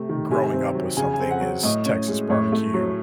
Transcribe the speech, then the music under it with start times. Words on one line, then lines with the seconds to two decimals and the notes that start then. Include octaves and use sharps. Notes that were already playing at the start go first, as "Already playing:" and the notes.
growing up with something is Texas barbecue.
Already playing: C3 A3
0.09 D#3
0.31 C3 G#5
0.54 C4
0.75 F#3
0.97 C#3 G#5
1.14 G#5
1.20 C4
1.31 F#5
1.41 F#3
1.63 A2 D#5
1.85 C#4
2.08 G#3
2.30 A2 C#5
2.52 A3
2.74 F#3